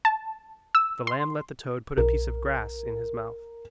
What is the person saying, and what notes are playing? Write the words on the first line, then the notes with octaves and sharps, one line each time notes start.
The lamb let the toad put a piece of grass in his mouth.
A5
E6
C6
B1 A#4